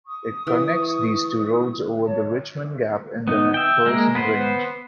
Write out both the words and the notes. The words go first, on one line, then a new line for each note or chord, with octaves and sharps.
It connects these two roads over the Richmond Gap in the McPherson Range.
C#6 D#6
E3
C#5 A5
B3 D#4
E5 G5
G#3 A#3 A#4
B3 B4 C5